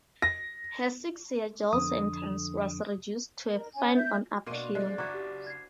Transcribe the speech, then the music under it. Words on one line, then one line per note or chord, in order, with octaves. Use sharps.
Her six-year jail sentence was reduced to a fine on appeal.
A#6
F2 D3 D#6
A#4
C#4 G#5
E5 G6
B2 A#3 D4 F#4 C6 D#7
F3 G#3 A3 D5
F#1 E4 F#4 C5 A#5 D6 F#6 G#6
G4
G#6 C7